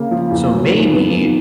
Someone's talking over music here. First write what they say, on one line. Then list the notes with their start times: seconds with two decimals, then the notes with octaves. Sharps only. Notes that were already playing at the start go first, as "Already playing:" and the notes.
So maybe
Already playing: C#3 A#3
0.11 F3
0.30 E2
0.51 F#3
0.71 D#3
0.91 B3
1.11 D#3